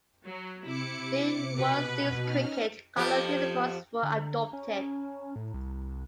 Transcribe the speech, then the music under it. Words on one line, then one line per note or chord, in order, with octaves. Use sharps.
During World Series Cricket, coloured uniforms were adopted.
F#3
C3 E4 D6 C#7
B2 B4
C#4 D#4 F6
F2 F3 G4
D3
C#4
A2
C2